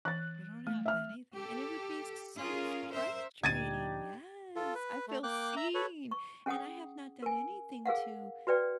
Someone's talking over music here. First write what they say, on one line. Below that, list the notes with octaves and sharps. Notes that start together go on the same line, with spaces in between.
You don't have anything, and it would be so frustrating. Yes, I feel seen, and I have not done anything to,
E3 F#6 A6
A3
E5 F6
G4 A4
C#4 F4 G#4 A#4
A#4 C5 E5
D2 A#2 D4 D#4 G4 G#6 A6 D#7
F4 A4
B4
A3
A#3 G5 D6 F#6
E5 A#5
A4 B4 C#5
C#6
C#4 G#4 F#5 G5 D#6
A#4 G#5
G#4 A#4 F5 F#5
F#4 B4 D5 G5